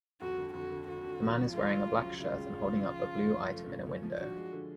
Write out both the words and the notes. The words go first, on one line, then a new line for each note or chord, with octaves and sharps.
The man is wearing a black shirt and holding up a blue item in a window.
F2 F#4
D3
F2 F#4
D3
D3 F#4
D3
F3
F3
C#2 F4
F#3
C#3
F#3
C#3 F4
C#2
C#2
C#3
F3
F3
F#2
F3
A3
F#2
C#4
F3
D4 F#4
G#3
D3